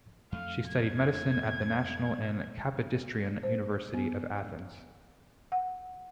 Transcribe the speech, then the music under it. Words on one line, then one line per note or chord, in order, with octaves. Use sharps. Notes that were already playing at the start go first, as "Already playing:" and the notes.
She studied medicine at the National and Kapodistrian University of Athens.
F2 A3 F5
G#6
C5
B3
F#5